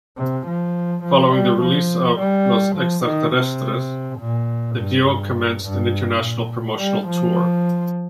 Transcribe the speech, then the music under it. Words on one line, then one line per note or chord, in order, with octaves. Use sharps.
Following the release of "Los Extraterrestres" the duo commenced an international promotional tour.
C3
F3
F3
G3
F3
G3
F3
D#3
C3
A#2
G2
G2
G2
A#2
G3
F3